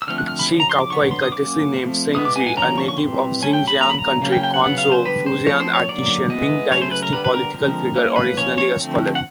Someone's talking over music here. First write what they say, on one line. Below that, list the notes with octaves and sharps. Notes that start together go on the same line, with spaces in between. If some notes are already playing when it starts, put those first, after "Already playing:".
Shi Caocai, courtesy name Shengzhi, a native of Jinjiang County, Quanzhou, Fujian, artisan, Ming Dynasty political figure, originally a scholar.
E6
D3 F3 A3 C4 F6
F#6
F6
B5
C#3 F3
A#5
C6
D6
D3 F#3 B3 C#6
C6
D#6
F#3 A#3 C#4 D6
F3 A3 C4
E3 G#3 B3 D#6
D6
G#5
G#5
D3 F3 A#3 C#4 A#5
C#6
C#6
E3 G3 C4 C6
F#3 A3 C#4 G#5
G5
B5
D3 F#3 A#3 C#4 A#5
B5
A#5
C#3 F#3 A#3 C#4
G5
G5
F#5
C#3 F#3 B3 F#5
F5
C5
D3 G3 B3 B4
C5
F3 A3 C4 C#5
C5
C#5
D3 F#3 A#3 C#4 D5
E3 G#3 B3 D#5
C#3 F#3 A3 C#4 C#5
C5
B4
A#4
D3 G3 B3 B4
B4
A#4
D3 F3 G#3 C4 A#4
E3 G3 A#3 C#4
B4
F3 A#3 C#4 C#5
C#5
D3 F3 A3 C4
F#5